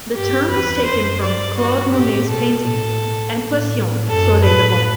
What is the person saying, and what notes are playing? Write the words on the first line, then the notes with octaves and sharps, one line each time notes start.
The term was taken from Claude Monet's painting "Impression: soleil levant".
G2 G4
E2 B4
F#2 C5
G2 D5
F#4
A2 G4
B2 A4
A2 A4
A2
F#2 A4
A2 B4